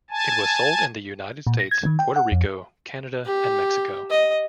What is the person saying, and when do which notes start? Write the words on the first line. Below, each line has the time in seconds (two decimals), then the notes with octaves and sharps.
It was sold in the United States, Puerto Rico, Canada and Mexico.
0.10 G#5 A5
1.47 A#2
1.59 A#6
1.71 G#6
1.86 D#3
1.99 G5
2.16 F#5
2.32 F2
3.25 G4
4.10 D#5